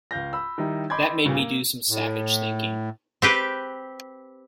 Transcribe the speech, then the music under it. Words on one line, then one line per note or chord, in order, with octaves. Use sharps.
That made me do some savage thinking.
C#2 F5 G6 A#6
B5 E6
D#3 G3 D#4 E4
D#5 B5 C6 D6 G6 G#6
G2 A#2 C#3 G3
A#3
A2
C4 G4 B4